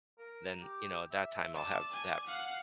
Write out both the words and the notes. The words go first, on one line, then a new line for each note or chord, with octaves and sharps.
then, you know, at that time, I'll have that
A#4
G4
E5
D5 A5
G#5
F5 F#5